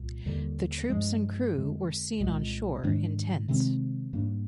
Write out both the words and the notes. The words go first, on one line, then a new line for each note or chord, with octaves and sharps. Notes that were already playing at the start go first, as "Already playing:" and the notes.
The troops and crew were seen on shore in tents.
Already playing: C2 A#2
D#2 D3 G3
G2 F3 G#3
F2 D3 G#3
C2 A#2 G#3
G#2 D#3 G#3 D4
C3 D#3 G#3 C4
G#2 G3 A#3 D4